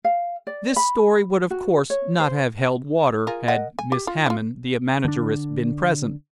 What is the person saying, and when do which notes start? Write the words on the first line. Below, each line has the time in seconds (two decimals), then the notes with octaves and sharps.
This story would, of course, not have held water had Miss Hammond, the manageress, been present.
0.05 F5
0.47 D5
0.76 B5
1.50 F#4
1.90 C#5
2.20 C5
3.27 F4 G#4 A#4
3.48 A#4 D#5 F#5
3.79 G#5
3.92 G4
4.07 F4
4.26 E4 F4
5.05 D3 D4